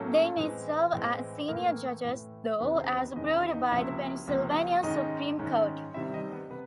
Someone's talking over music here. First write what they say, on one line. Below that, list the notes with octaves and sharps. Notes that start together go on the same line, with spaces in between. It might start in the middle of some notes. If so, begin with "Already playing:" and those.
They may serve as Senior Judges though, as approved by the Pennsylvania Supreme Court.
Already playing: A2 F#3 A3 A#3 C#4 A4
A2 E3 G#3 C4
A2 E3 G#3 C4
A2 E3 A3 A#3 A#4
A2 E3 A3
E2 C3 D#3 G#3 B3 C#4 B4
C4 C5
B3 B4
E2 C3 D#3 G#3 C#4 D#4 D#5
E4 E5
D#4 D#5
C#2 C3 F3 A#3 C#4 E4 E5
C#2 C3 F3 A#3 C#4
G#2 D#3 G#3 C#4 D#4 D#5
G#2 D#3 G#3 C#4
C3 D#3 G3 C4 E4 E5
D#4 D#5
B3 B4
C3 B3 B4